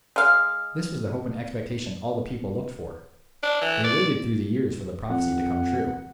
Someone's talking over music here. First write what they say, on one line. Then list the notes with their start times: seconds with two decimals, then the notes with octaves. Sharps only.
This was the hope and expectation all the people looked for; they waited through the years for the prophecy to come true.
0.16 G#3 F5
3.43 D4
3.61 E3
3.84 D5
5.10 F2 F#5